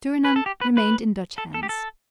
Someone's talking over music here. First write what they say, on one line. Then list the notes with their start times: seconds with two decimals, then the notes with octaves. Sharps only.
Surinam remained in Dutch hands.
0.25 B4
0.36 A4
0.46 G4
0.61 B4
0.77 B4
1.38 A4
1.54 A4
1.63 G4
1.69 A4